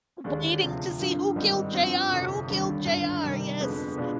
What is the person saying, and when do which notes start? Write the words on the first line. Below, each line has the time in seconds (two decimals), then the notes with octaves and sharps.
Waiting to see, who killed JR who killed JR, yes,
0.24 D#2 D3 G#3 D4 G4
0.62 D2 C3 F3
0.99 G2 D3 F3
1.36 G#2 D#3 G3 C4 D#4
1.73 G2 F3 C4 F4
2.11 G1 F2 C3
2.48 D#2 D3 G3
2.85 G#1 G2 D3
3.23 C3 D#3 G3
3.60 F2 D3 G#3 B3
3.97 B2 G#3 B3 D4 F4